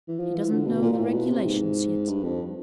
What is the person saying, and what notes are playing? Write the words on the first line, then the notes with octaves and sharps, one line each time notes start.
He doesn't know the regulations yet.
E3
F3
E3
D3
B2
A#2
A#2
A2
B2
C3
G#2
G2
F2